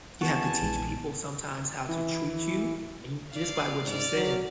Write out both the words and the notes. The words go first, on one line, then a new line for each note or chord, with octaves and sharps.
"You have to teach people sometimes how to treat you," and, just by what you said,
E2 F#5 G#5 A5 C#6
A#1 A#2 G#3
E3 E4
D5 F5
G#2 D5 F6
F#3